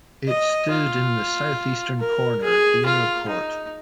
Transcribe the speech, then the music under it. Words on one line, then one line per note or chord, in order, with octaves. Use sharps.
It stood in the south-eastern corner of the inner court.
D#5
F4
A#4
G#4
F4
D#4